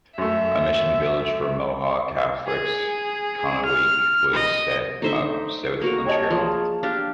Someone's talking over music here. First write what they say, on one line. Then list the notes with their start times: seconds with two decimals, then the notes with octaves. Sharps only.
A mission village for Mohawk Catholics, Kahnawake, was set up south of Montreal.
0.18 F#2 A3 E5
2.47 G#4
3.65 F6
4.34 D#5
5.02 D3 A3 D#4 C5 E5
5.81 A#3 F#4 A#4
6.06 G4 C#5 D#5 A5
6.30 F3 G#4 A5
6.83 D4 G4 F5